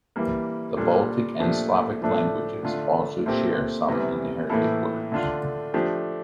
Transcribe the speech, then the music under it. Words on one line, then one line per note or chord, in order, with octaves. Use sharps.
The Baltic and Slavic languages also share some inherited words.
E3 G3 A#3
A#2 G3 D4 A4
A#2 F3 A3 D4 G4
A2 F3 A3 D4 A4
D3 A3 D4 F4
A#2 A3 C4 G4
E2 C3 E3 G3
A2 E3 A#3 E4 A4
D3 A3 D4 F4
F3 A3 D4 G4